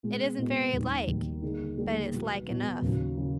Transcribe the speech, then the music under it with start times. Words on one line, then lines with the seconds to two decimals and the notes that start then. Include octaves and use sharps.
"It isn't very like, but it's like enough."
0.03 B2 G#3 B3
0.38 B2 G#3 B3
0.73 D#2 D#3 G3
1.07 D#2 D#3 G3
1.42 D3 G3 A#3 D#4 G#4
1.77 D3 G3 A#3 D#4 G#4
2.12 B2 F#3 B3
2.47 B2 F#3 B3
2.82 D#2 C#3 F#3
3.17 C#3 F#3